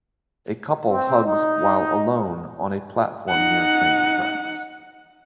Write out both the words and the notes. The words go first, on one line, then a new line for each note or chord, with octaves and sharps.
A couple hugs while alone on a platform near train tracks.
C4
D#4
D#4 F#5